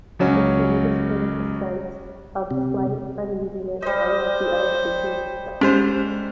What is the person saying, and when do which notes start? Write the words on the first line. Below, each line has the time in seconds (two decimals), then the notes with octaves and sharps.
The King displays a sense of slight uneasiness unlike the other figures especially.
0.19 C#2 F#3 C#4
2.51 C3
3.82 G3 C5 D#5
5.61 G#2 C#4 G4 C5